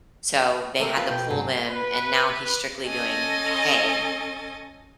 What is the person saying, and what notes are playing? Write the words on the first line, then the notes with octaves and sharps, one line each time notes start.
so, they had to pull them, and now he's strictly doing hay
A3 A#3 C4
F3 F4 B4
B2 G5
G2 C3 F#3 G#3 G#4
B4
C#4 A4 D#5 G#5 A6